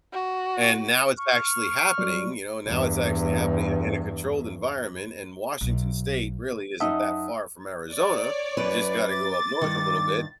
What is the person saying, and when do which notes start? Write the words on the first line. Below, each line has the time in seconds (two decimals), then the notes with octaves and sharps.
and now it's actually happening, you know? Now it's actually happening in a controlled environment. And Washington State really isn't that far from Arizona, you just gotta go up north a little bit,
0.12 F#4
1.18 C#6 F6
1.98 F#3 G3 D5
2.67 E2 G2
5.61 B1
6.80 F#2 D#4 D#5 E5 F#5 A5 D#6
7.91 C#5 D5
8.57 F#2 B4
9.07 D6 A6
9.62 G2 D#3